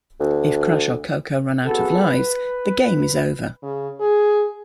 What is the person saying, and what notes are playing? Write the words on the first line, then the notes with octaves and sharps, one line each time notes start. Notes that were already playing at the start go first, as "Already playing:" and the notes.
If Crash or Coco run out of lives, the game is over.
D2
F2 B3 F#4 G#4 A4
B4
C#3
G#4